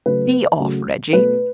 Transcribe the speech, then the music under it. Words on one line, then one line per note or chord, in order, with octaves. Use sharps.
"Be off, Reggie!"
C#3 F#3 A3 B4
C#3 F#3 A3
B2 A3 B4